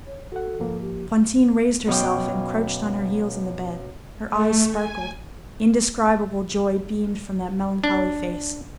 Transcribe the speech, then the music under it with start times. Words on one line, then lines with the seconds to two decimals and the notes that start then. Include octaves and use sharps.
Fantine raised herself and crouched on her heels in the bed: her eyes sparkled; indescribable joy beamed from that melancholy face.
0.06 C#5
0.32 F#4 A4 F#5
0.60 G#2 F3 A#3
0.82 G4
1.87 F#2 B2 F#3 F5 G5 D6
4.27 A3
4.70 G#5
7.84 D4